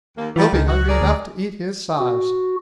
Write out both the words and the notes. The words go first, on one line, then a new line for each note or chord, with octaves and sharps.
"He'll be hungry enough to eat his size."
D#2 A#3
E3 F#3 G3 F4
C#2 D#3 G#3
F#4
G#4 A#4 D5
D2
F#4